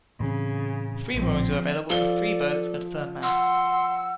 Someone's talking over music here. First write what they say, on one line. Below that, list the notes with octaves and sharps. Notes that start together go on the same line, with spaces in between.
Free moorings are available for three boats at Thurne mouth.
A2 C#3 E3 C4
A#1 A2 F3 C4
F3 A4 D5 G7
F#5 C6 E6